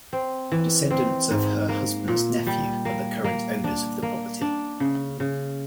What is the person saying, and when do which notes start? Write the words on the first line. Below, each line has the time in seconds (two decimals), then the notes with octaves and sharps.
Descendants of her husband's nephew are the current owners of the property.
0.13 C4
0.52 E3
0.91 C4
1.31 G#2
1.69 A#3
2.08 A#2
2.47 G3
2.85 A#3
3.24 A#3
3.64 D4
4.03 A#3
4.41 D4
4.80 C#3
5.20 C#3